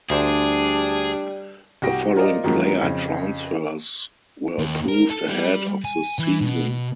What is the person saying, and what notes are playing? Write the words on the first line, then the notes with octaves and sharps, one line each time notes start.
The following player transfers were approved ahead of the season.
D2 G3 D4 G#4 C5
C2 F#4 G4 A#6 D7
F4 A#4 C5 D5 D#5
F#2 D#3 F3 F#3 G#3 A#3
F2 C#3
D#2
A#4
A4
G3
G#5
E3
B2